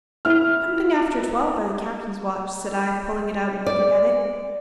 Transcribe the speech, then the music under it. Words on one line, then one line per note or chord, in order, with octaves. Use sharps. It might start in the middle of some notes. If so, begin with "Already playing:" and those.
"Something after twelve by the captain's watch," said I, pulling it out and looking at it.
E4 F6
D5